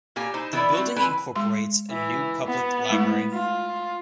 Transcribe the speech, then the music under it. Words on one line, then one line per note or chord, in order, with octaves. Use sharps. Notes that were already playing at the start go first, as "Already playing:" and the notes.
The building incorporates a new public library.
A#2 A#3 G4 G#5
D#4 E4 C5
E3 B3 E4 D5
C4 F#4
C4 E4 B4 G#5
G#3 C6
E3
B3
G#3 A3 E4
F4